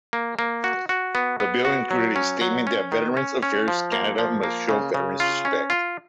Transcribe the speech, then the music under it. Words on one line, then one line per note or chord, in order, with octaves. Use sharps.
The bill included a statement that Veterans Affairs Canada must show veterans respect.
A#3
A#3
F#4
F#4
B3
B3
F#4
F#3
C#4
F#3
C#4
D#3
C#4
C#4
F3
A#3
F3
A#3
C#3
C#3
F4
C#4
F4